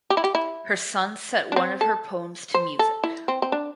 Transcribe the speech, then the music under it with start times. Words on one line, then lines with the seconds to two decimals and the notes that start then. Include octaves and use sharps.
Her son set one of her poems to music.
0.10 G4
0.17 E4
0.24 G4
0.35 E4
1.52 D4
1.56 C4
1.81 A4
2.54 C5
2.79 A4
3.04 E4
3.28 C4
3.42 C4
3.52 D4